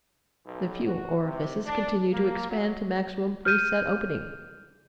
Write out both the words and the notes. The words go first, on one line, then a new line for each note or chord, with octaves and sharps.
The fuel orifices continued to expand to maximum pre-set opening.
B1
F#4
C3
D4
A#3
F#3
F6 G6 D#7